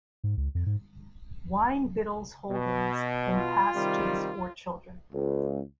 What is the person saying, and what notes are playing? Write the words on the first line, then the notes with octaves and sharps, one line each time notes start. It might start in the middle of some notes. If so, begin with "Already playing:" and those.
Winebiddle's holdings then passed to his four children.
G#2
C#2
F2
G#2
B2
F4
C3 D#3 G3
C#2